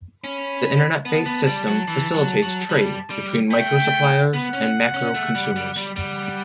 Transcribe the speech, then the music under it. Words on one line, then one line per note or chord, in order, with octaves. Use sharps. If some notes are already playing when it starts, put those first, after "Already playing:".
The Internet-based system facilitates trade between micro-suppliers and macro-consumers.
C#4 B5
B3 A5
B3
G3
F#3
E3
F#3
F#3
G3
G3
A3 G5
B3 F#5
C#4
C#4
A3
G3
G3
G3
G3 F#5